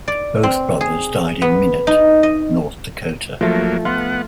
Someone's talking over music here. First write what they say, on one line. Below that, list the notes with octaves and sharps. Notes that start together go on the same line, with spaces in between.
Both brothers died in Minot, North Dakota.
D5
C4
G#4
B3
D#4
D#5
F3 F#3 A3 A#3
B3 F4 F#5